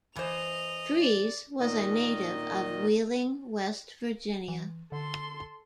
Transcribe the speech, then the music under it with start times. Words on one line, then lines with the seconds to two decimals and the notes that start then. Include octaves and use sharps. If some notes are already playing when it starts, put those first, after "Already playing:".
Freese was a native of Wheeling, West Virginia.
0.16 E3 C5 D#5 F7
1.03 D5
1.60 A#2 D#3 D#5
4.48 E3
4.92 D3 A4 C6